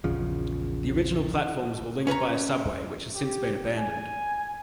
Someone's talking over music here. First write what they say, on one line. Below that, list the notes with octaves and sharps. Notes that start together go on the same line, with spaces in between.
The original platforms were linked by a subway which has since been abandoned.
A#1 E2 C#3 F3
C#4 B4 C#5 A#5
G4
G#5